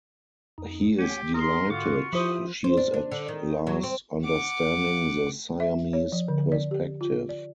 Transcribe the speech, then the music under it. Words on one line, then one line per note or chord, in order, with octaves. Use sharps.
He is delighted; she is at last understanding the Siamese perspective.
F2 D#4
G4 C#5 F#5 G#5
D#4 G#4 A#4 C6
G#2 D3 F4 F#4 C#6 D6
F3 E4 G4 C5 E5 D#6
C5
D4
D4
D3
D#3
F#3
C4
F#5 D6
E5
C#5
F3
D3
D5
G4
F4
D5